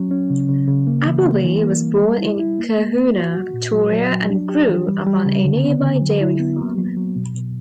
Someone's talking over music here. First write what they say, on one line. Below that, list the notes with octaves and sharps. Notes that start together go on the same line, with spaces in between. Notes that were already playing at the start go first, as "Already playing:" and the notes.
Appleby was born in Cohuna, Victoria, and grew up on a nearby dairy farm.
Already playing: F#3 C#4
C#4
C#3
C#3
C#3
A#3
E3
A#3
E3
A#3
G3
G3
E4
E4
A#3
A#3
A#3
F#4
F#4
A#2
F#3
F#3
F#3
D4
G4
E3
G3
G3
C#3
D3
B3
D3
F#3
E4
B3
A#3
F#3
F#3
B2
B2